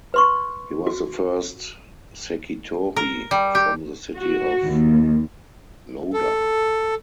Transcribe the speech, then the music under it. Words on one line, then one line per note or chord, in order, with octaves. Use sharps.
He was the first "sekitori" from the city of Noda.
B4 C6 C#6
F#4
A#4
G3
G4
F#4
D#2
A4